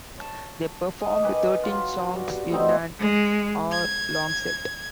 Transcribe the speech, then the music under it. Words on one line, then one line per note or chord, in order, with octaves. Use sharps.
They performed thirteen songs in an hour-long set.
C#5 A5
D#5
D#3 B4 G#5 D6
F#3 F4
G2 F#4
A3 B3 C4 D#4
G#3
G#6